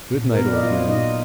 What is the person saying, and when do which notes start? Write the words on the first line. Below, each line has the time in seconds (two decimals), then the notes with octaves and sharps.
"Good-night, old man."
0.14 A#2
0.32 A#4
0.38 B3 B4
0.48 D5
0.55 D#5
0.63 F#3 F4 F5
0.88 A#2 D#4 D#5